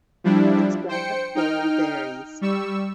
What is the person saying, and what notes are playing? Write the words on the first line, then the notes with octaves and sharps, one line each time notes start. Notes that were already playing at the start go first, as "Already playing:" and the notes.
Its graphic form varies.
F3 G3 D4 E4
C5 G5 C#7
D#4 G5 F6
G3 C#6 E6